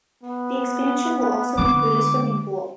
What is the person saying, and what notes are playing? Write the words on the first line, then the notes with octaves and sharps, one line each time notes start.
The expansion will also include a swimming pool.
B3
D3 G#3 D6